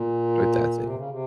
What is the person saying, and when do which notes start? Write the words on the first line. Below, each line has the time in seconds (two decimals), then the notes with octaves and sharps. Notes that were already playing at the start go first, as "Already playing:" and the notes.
with that thing.
Already playing: A#2
0.82 C3
0.96 C#3
1.09 C3